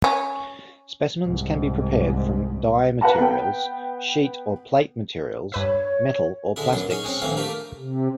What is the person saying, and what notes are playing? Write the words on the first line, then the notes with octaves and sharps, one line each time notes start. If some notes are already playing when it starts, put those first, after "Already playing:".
Specimens can be prepared from die materials, sheet or plate materials, metals or plastics.
C#4
C2 G#2
B4 F5 F#5 A5 A#5
B3 G5
G2 B4 C#5 E5
D3 G#3 E4
B1 F#2 F#3 C6
C#4 D#4 G#4
G#3 C4 C#4
A#1 D#2 A2 E3 C4 A#4
A3 A#3 G4 A#4
C3